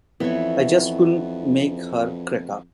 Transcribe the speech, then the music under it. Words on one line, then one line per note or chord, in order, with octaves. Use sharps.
'I just couldn't make her crack up.
F2 E3 B3 C#5 E5